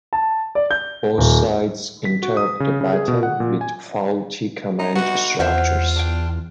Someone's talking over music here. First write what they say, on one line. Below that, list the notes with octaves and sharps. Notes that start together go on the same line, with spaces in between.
Both sides entered the battle with faulty command structures.
A5
D5
G6
D#1
B6
F#4
D#6
C#3
C#3
G#4
B2
F#5
A#2
G#5
D#4
B3 D#4 F#4
E2 F4 C5 E5 F#5
D4 G5